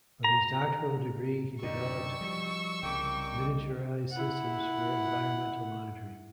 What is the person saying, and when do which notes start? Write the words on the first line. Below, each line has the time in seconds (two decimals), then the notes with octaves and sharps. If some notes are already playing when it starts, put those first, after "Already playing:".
For his doctoral degree he developed miniaturised systems for environmental monitoring.
0.24 A#5
1.63 F#2 D3 D#4 G4 D5 C#6 E6
2.21 F3 G3
2.83 C2 C#3 A#3 G5
4.12 E4 F#5